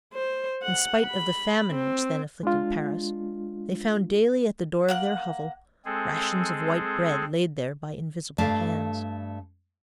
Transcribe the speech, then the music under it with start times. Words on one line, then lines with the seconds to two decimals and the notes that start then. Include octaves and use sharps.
In spite of the famine which then afflicted Paris, they found daily at the door of their hovel rations of white bread, laid there by invisible hands.
0.13 C5
0.63 F#5
1.05 B5
1.71 C4
2.43 G#3 D4 F4
4.88 A#3 F#5 F#6
5.85 G#3 C4 G#4 A4
8.38 G2 A3 D5 F5 A5